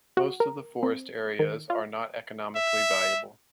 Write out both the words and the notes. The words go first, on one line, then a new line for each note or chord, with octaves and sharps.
Most of the forest areas are not economically valuable.
F#4
A#4
C4
D#3
F4
E5